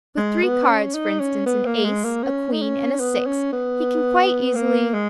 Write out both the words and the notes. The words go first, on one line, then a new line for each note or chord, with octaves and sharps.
With three cards, for instance, an ace, a queen, and a six, he can quite easily...
G#3
B3
C#4
D#4
C#4
B3
A#3
G#3
A#3
C#4
D#4
C#4
B3
C#4
B3
A#3
G#3